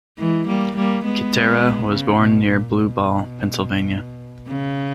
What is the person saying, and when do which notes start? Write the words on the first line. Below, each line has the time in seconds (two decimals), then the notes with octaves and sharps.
Kittera was born near Blue Ball, Pennsylvania.
0.18 E3 G#3
0.47 G3 A#3
0.76 G3 A#3
1.04 G#3 B3
1.90 C#3
2.19 B2
2.48 A#2
2.76 B2
4.48 C#3